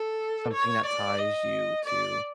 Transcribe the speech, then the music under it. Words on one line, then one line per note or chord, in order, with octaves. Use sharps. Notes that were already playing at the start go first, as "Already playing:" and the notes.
something that ties you to
Already playing: A4
C#5
D5
D#5
D5